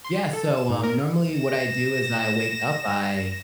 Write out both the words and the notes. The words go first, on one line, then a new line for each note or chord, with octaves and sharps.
Yeah, so, um, normally what I do is I wake up, I
C6
A4
E7
G#2
A#4
A#6 E7